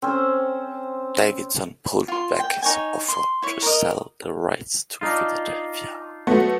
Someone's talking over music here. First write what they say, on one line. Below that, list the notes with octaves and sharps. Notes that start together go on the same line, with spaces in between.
Davidson pulled back his offer to sell the rights to Philadelphia.
C4 C#4 C5
F4 C6
G5
D#4 C#5 G#5
C6
E4 C#5
A#4 D#5
D4 D#4 F4
F#3 A3 B3